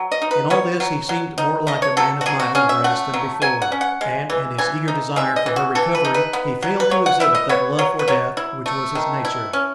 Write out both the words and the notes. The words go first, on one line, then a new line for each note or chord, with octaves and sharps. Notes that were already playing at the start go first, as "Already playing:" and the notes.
In all this he seemed more like a man of my own race than before, and in his eager desire for her recovery he failed to exhibit that love for death which was his nature.
Already playing: F#3
D#5
D#4
B4
B3 C#5
F#3
F#3
D#4
A3 D#5
C#5
F#3 A4
F#4
F#3 G#4
F#4
C#4 G#4
E5
A3 F#5
F#3
F#3 G#5
F#5
C#4
F#5
G#3
E3
E3 G#5
D#4
G#3 E5
D#5
E3
F#4
E3 A4
B4
D#4
B4
B3
F#3
B4
F#3 C#5
F#5
E4 E5
D#5
B3 C#5
F#3 C#5
B4
F#3 C#5
E4
A3
D#3
E4
C#4